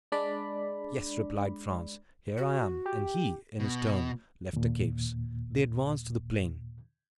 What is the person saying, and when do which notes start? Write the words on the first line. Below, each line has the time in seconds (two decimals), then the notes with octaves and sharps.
"Yes," replied Franz, "here I am," and he, in his turn, left the caves. They advanced to the plain.
0.12 G#3 D4 D5 B5
2.37 F#4
2.85 G4
3.60 B2
4.53 D#2 A#2